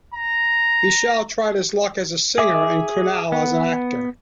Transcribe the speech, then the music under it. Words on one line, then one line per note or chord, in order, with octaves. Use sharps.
Vishal tried his luck as a singer and Kunal as an actor.
A#5
G#4 E5 D6
B3